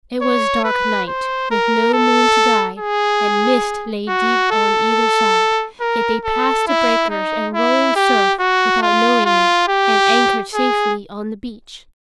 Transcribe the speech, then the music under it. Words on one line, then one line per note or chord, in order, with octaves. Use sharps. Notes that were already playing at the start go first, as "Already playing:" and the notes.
It was dark night, with no moon to guide, and mist lay deep on either side, yet they passed the breakers and rolling surf without knowing it, and anchored safely on the beach.
C#5
B4
C5
A#4
A4
G#4
F#4
A4
A#4
A4
E4
D#4
E4
G4
F#4
F4
F4
G4
G#4